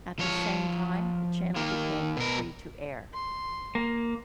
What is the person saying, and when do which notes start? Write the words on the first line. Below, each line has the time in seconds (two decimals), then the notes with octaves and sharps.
At the same time the channel became free-to-air.
0.19 F3 C#5
1.56 D#3 A#3
2.17 B2 A#4
3.13 C6
3.75 A#3